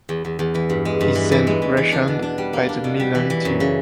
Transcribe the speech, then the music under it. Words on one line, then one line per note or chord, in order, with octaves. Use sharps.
He’s then rationed by the Milan team.
E2
E2
E2
E3
G2
G#3
G2
E3
E3
G#3
E3
E3
D4
B2
D4
G3
A#3
D4
B2
G3
E3
E3
F#2
C#3